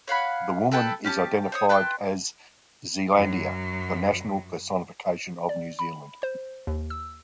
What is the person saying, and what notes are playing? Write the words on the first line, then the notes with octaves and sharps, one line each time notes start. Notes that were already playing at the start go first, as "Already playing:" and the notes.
The woman is identified as Zealandia, the national personification of New Zealand.
C#5 F5 F#5 B5
A4 B4 G5 A5
C#4 G4 A5
C5 C#5 D#6
B4 G5 A5 C6
F#2 F#3
D5
B5
C5
D#2
E6